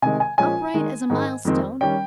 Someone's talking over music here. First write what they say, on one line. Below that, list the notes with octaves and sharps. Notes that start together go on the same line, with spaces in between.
Upright as a milestone.
C3 D#3 G#3 G#5
G#5
A#2 F3 G#3 C#4 G#5
D#3 G#3 D#4
G#2 D#3 G#3
F2 D#3 G#3 C4
D#3 G3 C#4 G5